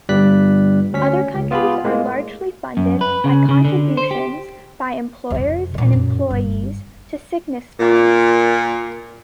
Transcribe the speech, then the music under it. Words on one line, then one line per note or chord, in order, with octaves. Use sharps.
Other countries are largely funded by contributions by employers and employees to sickness funds.
G1 G2 G3 D5 F#6 B6
D2 C#4 B6
C#2
B3 F4 G4 G#4 B5
A2 G#3 A#3
F#2
B4
C#3
C#3
D3
C5
G4
F2 C3
A#2 E3
F#2
G1
A#2